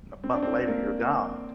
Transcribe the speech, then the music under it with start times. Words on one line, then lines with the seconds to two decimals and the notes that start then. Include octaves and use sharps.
and a month later you're gone,
0.24 C4
0.33 D4
0.42 C4
0.68 A#3